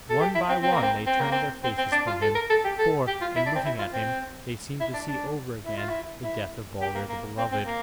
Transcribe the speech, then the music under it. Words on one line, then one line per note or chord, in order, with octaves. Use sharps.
One by one they turned their faces from him; for, in looking at him, they seemed to see over again the death of Baldur the Beloved.
A4
G4
E4
C4
C4
A#3
C4
C4
A#3
C4
C4
C4
D4
F4
A4
A#4
A4
G4
A4
G4
F4
E4
D4
C4
E4
F4
C4
E4
D4
D4
E4
F4
E4
E4
G4
A#3
A#3
C4
C4
A#3